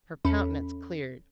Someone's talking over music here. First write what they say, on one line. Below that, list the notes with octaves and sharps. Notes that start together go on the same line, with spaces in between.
Her countenance cleared.
E2 C#4 A4 B5